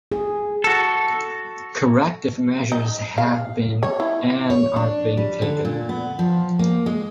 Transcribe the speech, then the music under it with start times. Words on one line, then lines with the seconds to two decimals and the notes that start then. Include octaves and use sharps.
Corrective measures have been and are being taken.
0.12 G#4
0.64 F#4 A4
2.72 D#4
3.18 F5
3.83 C#5
4.00 E4
4.50 C#5
4.76 D4
5.17 G3
5.42 D3
5.65 A#2
5.89 B3
6.19 F3
6.59 A#3
6.86 G#3